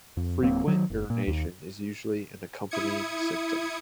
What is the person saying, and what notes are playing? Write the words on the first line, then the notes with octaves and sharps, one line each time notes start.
Frequent urination is usually an accompanying symptom.
F2
D1 F#3 A#3 C4
D#3 F#3
F#1
A#2
D#2
E4 D#6 G#6 C#7